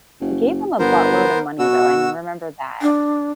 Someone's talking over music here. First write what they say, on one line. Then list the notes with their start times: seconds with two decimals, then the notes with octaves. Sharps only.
They gave him a buttload of money, though. I n remember that.
0.21 F#1
0.79 G1 B3 A#4 C5
1.59 B2 F#4 E6
2.82 D4